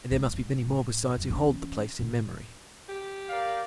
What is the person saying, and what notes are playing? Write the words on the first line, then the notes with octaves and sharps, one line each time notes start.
And there must be many more besides who hold the place in memory.
G#2
G#2
A1
F#2
E3 C#4
A#2
G4
A#4 D5 F5